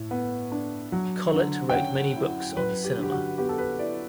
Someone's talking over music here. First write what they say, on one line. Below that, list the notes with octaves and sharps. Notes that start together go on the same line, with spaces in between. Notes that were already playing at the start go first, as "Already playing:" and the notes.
Collet wrote many books on cinema.
Already playing: A2
B3
D4
F#3
D3
G5
C#4 F#5
E4
F#3 B4
G4
D3
G4
F#4
B3 G4
A4
B4
E4 D5